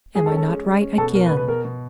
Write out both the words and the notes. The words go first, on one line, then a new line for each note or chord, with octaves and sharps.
Am I not right again?
G#3 G#4
A4
C#4
A4
G#3
G#3
C#4
B2 A4
B2 A#4
B4
B2
B4
B2 A#4
B2